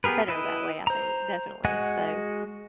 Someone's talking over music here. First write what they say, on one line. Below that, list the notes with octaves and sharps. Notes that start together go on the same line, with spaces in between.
better that way, I think, definitely, so,
B3 G4 G#4 A#4 B4
E4 B4 D#5
C5 A#5
G#3 F#4 D#5 F#5 G#5